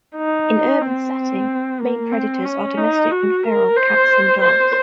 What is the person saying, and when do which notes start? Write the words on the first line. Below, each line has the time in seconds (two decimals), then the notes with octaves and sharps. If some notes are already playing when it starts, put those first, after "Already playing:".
In urban setting main predators are domestic and feral cats and dogs.
0.16 D#4
0.81 C4
1.80 A#3
2.12 C4
2.45 C#4
2.78 D#4
3.11 F#4
3.43 A#4
3.76 C5
4.41 C5